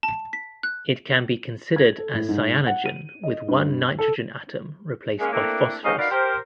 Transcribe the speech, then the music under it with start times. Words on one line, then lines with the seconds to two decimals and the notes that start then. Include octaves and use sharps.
It can be considered as cyanogen with one nitrogen atom replaced by phosphorus.
0.03 A5
0.33 B6
0.63 F#6
1.76 G#6
1.98 A4
2.13 A2
2.29 G#2
2.67 F#5
2.86 D#7
3.23 D#5
3.48 G2
3.99 A4
5.20 G#3 A#3 C#4
5.33 A3 A#3 C4 D4 E4 A4
5.84 F2 G#2 C#4 G4 D#5 F5
5.98 D#4 F#4 A#4 B4 D5 F5
6.11 G4 A#4 C5